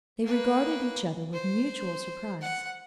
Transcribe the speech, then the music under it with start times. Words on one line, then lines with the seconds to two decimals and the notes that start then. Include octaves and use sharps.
They regarded each other with mutual surprise.
0.23 A#3 B4
1.33 C5
2.42 F#5